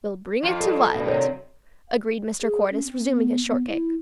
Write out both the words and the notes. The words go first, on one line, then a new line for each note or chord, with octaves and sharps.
"We'll bring it to Violet," agreed Mr. Cordyce, resuming his shortcake.
F2 F4
G3 A4
G2 B2
C3 D#3 F#3
G#4
C#4
C4
B3
B3
E4